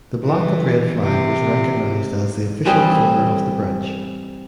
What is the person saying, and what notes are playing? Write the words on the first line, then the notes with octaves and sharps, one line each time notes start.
The black and red flag was recognized as the official color of the branch.
E3
C3
E3 G3 C4 D#5